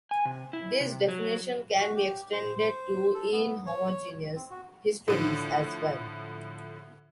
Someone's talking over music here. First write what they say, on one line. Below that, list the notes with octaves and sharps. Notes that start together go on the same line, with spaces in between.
This definition can be extended to inhomogeneous histories as well.
G#5
C3
E4
C3
F#3
F#4
G4
C5
C5
A4
B3
C#5
C4
F#4
A2 D3 F3